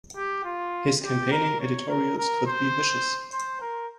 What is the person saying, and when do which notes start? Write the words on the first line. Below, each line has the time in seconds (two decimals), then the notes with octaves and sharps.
His campaigning editorials could be vicious.
0.16 G4
0.44 F4
1.03 G4
1.31 A#4
1.60 C#5
1.89 A#4
2.18 A#4
2.46 C5
3.33 C5
3.61 A#4